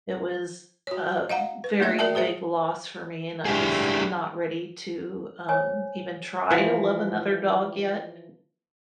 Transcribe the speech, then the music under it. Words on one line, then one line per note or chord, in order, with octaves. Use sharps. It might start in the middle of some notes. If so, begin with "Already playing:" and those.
it was a very big loss for me, and I was not ready to, um, even try to love another dog yet.
F#4 C#5
D#5 F5 F#5 A#5
B4
A3 A#3 D#4 G#4 D#5 E5
F#4 A#4 D5 E5 G5 A5
F#4 G#4 C5 E5
D4 E4 G4 G#4
C5 C#5 G#5
E3 F3